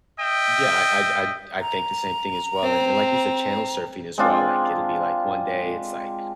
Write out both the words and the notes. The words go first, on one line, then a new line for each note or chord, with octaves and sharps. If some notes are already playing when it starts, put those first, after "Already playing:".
Yeah, I'd I'd I'd think the same thing as well, and like you said, channel surfing as well, like, it'll be, like, one day it's, like,
D#5 E5 G5
A#5
C4
G#3 C4 D4 F4